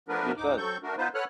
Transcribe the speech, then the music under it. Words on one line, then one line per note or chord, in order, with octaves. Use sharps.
Be fun.
F3 A3 B3 D4 A#4 B4
D2 G#2 D#4 D6
F#3 C4 A4 C#6 G6
A3 D4 F#4 A#4
B3 D#4 F4 B4 C5
A4 B4 C#5 F#5 F6 F#6